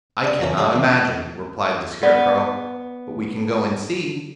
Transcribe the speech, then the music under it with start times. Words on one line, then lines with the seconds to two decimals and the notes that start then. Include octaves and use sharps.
"I cannot imagine," replied the Scarecrow; "but we can go and see."
0.24 D5 D#6
0.42 A#2 C#3 E3 C#4 A#5
0.57 A3 C#4 F#4 G#4 E5 G5
0.73 F2 E3
2.03 B3 D5